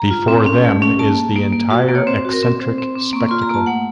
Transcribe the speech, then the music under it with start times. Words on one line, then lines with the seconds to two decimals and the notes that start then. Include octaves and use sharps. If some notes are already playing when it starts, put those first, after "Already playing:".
Before them is the entire eccentric spectacle.
Already playing: A#5
0.11 F4
0.28 C4
0.46 C#4
0.65 A3
0.82 C#4
0.99 A#3 A5
1.17 A#3
1.36 A#3
1.53 A#3
1.70 F#4
1.88 A#3
1.95 C#5
2.07 C4 C5
2.25 F#4
2.33 A#4
2.43 C4
2.60 C4 C5
2.78 C4
2.95 C4
3.13 A#3 C#6
3.29 F4 C6
3.42 A#5
3.50 A#3 A5
3.66 A3 F#5